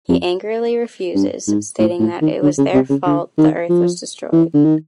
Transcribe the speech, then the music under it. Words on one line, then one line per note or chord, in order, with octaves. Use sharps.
He angrily refuses, stating that it was their fault the Earth was destroyed.
F2
G2
G#2
A2
A2
D#3
D3
C#3
C3
C#3
D3
D#3
F3
E3
D3
D#3